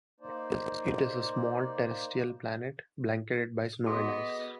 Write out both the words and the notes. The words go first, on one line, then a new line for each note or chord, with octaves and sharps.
It is a small, terrestrial planet blanketed by snow and ice.
A#3 D#4 C5 D5
B3 F#4 G#4 A4 D#5